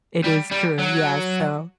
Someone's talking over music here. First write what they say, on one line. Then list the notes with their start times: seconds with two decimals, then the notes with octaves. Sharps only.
It is true. Yes, so
0.24 G3
0.51 G3
0.79 F#3